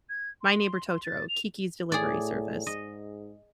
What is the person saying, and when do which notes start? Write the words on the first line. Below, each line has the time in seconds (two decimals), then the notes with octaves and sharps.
My Neighbor Totoro, Kiki's Delivery Service,
0.09 G#6
0.42 C6
0.89 C6
1.04 A6
1.29 F7
1.92 A2 G#4 D5
2.67 G#2 D#5